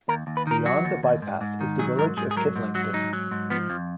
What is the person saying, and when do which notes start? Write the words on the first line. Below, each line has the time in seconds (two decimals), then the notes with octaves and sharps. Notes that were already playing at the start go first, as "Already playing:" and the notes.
Beyond the bypass is the village of Kidlington.
0.08 D#2 A#4
0.27 D#2
0.37 B4
0.47 D#3 A#4
0.65 F#3 F#4
0.85 D#2
1.03 D#2
1.22 G#2
1.41 G#2
1.61 D#3
1.79 F#3 G#4
1.98 G#2 A#4
2.17 G#2 G#4
2.31 G#4
2.37 F#3 A#4
2.56 G#2
2.75 F#3 F#4
2.93 G#2 D#4
3.13 F#3
3.31 G#2
3.50 F3 B3
3.70 F2